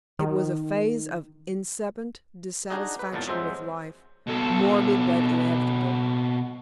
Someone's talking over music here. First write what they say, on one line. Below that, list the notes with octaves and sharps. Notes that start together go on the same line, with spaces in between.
It was a phase of incipient dissatisfaction with life, morbid, but inevitable.
D#3
D4 D#4 F#4 G#4 D#5
B4
G#1 E2 A#2 F#3 A5
F2 F#3 G#3 C5 E5
B2 A4